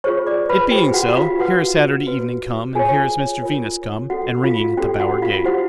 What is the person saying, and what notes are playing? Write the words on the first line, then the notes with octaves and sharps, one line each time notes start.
It being so, here is Saturday evening come, and here is Mr Venus come, and ringing at the Bower-gate.
F4 G#4 C5 C#5 C#6
D5 D6
B4 B5
F4 G4 G#4 C5 G5
G5
F#4 F#5
F4 F5
F#4 B4 F#5
F#4 B4
F4 G#4 A#4 C#5 G#5
F4 A#4 C#5
C#4 F#4 A4 F#5
F4 F5
C#4 F#4 G4 A4 G5
F#4 F#5
F4 F5
E4 F#4 G4 C5 F#5